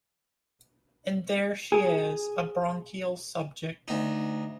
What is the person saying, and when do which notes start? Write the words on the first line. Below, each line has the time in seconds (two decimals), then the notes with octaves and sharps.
And there she is — a bronchial subject!
1.72 G#4
3.88 D2 D#4